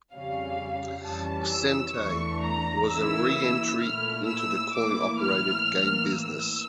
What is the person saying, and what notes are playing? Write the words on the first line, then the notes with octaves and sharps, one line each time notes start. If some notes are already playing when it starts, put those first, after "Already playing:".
Sente was a reentry into the coin-operated game business.
F2 C#3 G3 C#4 F5
F2 E3 G3 C#4 A5
E6
E2 E3 A3 D4 C#6
A#5
C#3 E3 A#3 E4 E6
A#2 A3 E4 F6
E6
A2 E3 A#3 E4 D6
F6
A2 E3 A#3
E6